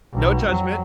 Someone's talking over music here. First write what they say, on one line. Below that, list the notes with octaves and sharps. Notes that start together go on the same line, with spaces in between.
No judgment.
B1 B2
F2 F#3